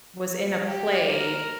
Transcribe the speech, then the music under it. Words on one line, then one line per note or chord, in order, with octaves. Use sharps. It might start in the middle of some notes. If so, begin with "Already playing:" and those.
was in a play,
G4
A#4